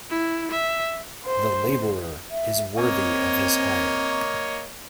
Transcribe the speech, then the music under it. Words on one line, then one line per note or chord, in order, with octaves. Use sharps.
The labourer is worthy of his hire.
E4
E5
C5
E5
A#3 C4 C#5 D#5